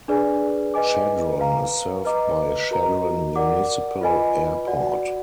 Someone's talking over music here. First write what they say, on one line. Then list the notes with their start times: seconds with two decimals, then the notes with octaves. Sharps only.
Chadron is served by Chadron Municipal Airport.
0.08 D4 G#4 B4 D5 G#5
0.74 B4 D#5 G#5 D6
1.39 B4 F5 A#5
2.05 B4 D#5 A#5 D6
2.71 F#4 A#4 D#5 A#5
3.36 A#4 D5 F#5 D6
4.01 F4 B4 D#5 G#5 B5
4.67 F#4 D5 F#5